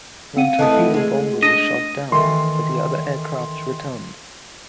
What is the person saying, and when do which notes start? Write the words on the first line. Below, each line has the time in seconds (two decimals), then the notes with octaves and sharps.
One torpedo bomber was shot down, but the other aircraft returned.
0.37 C4 F5 F#5 D#7
0.59 E3 A3 D#5 A5 D#6
0.94 G#3 G#4
1.43 D4 D#5
2.12 D#3 E3 A3 C6